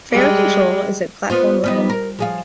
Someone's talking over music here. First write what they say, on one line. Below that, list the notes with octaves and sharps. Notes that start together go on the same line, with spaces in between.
Fare control is at platform level.
G3 G#3
B3 F4 C5
G3 B3 D#4
A#4
F3 G#4 F5